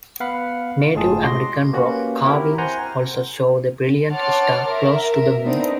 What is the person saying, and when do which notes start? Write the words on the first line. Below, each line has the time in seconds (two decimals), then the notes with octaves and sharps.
Native-American rock carvings also show the brilliant star close to the Moon.
0.20 B3 F5 F#5 B5 C#7
0.94 G1 A2 G#3 F4 G#4 A5
1.23 F#4 C6 D6 A#6
1.73 A#3 C#4 F#4 G4 B4
2.24 C4 E4 G4 A#4
2.58 C5 F#5 G#5 A#5 C6 G6
4.11 C#5 F#5 A5 C6 D6 F6
4.66 A#4 E5
5.44 B3 C4 D4 D#4